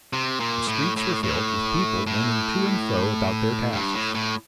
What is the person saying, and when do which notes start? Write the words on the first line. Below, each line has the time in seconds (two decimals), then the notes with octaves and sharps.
The streets were filled with people running to and fro about their tasks.
0.13 C3
0.40 A#2
0.68 A2
0.97 A2
1.23 A2
2.07 A2
3.72 G2
3.94 A2
4.15 A2